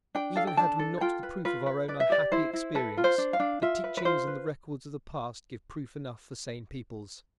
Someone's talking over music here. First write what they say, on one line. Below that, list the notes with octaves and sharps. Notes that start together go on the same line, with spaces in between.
Even had we not the proof of our own unhappy experience, the teachings and the records of the past give proof enough for sane peoples.
D4 G5
A4 F5
G5
D4 A5
A4
F4 G5
B4
F4 B4
B4
B4 D5
E5
G4 D5
E4 C5
E4
A4 B4
F4
C5
D4
F5
D4
F4 E5
B4
B4
F4 C5
B4